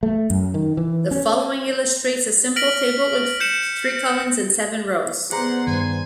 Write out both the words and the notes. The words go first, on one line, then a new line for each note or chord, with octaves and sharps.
The following illustrates a simple table with three columns and seven rows.
A3
F#2
D#3
E3
C#4
F6 A#6 B6 D7 F#7
G6 C#7 E7
B3 G#4 C5 D5 F#5 A#5
G2 D#3 G#5